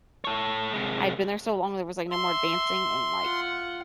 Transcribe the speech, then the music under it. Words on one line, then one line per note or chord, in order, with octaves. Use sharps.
I'd been there so long there was, like, no more advancing and, like,
A4 C#5
C3 G#3
E5 C6
F4 F#5